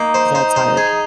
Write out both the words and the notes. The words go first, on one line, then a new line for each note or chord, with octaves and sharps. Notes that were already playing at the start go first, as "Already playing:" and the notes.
‘cause that's hard.
Already playing: A#3 D#4
C5
C5
C5
G#4